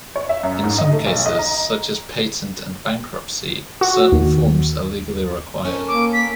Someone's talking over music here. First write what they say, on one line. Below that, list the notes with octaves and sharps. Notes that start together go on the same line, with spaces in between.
In some cases, such as patent and bankruptcy, certain forms are legally required.
C#5
E5
F#2
G#2
D#5
A3
B1
D#5
A#5
F#4
D#2
C#4 A4 A#4
A#3 D6
B6